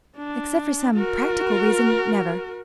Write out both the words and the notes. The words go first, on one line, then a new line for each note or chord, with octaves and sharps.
"Except for some practical reason--never."
D4
F#4 A#4